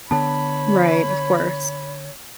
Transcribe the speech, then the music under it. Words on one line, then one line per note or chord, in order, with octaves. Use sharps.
Right, of course.
D3 B3 C#5 A5 B5